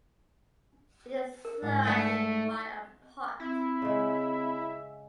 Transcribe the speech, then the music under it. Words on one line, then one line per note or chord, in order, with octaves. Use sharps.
It is surrounded by a park.
A#4
G#2
A3 D#4 D5 F#5
C4 E4 E5
C#3 G#3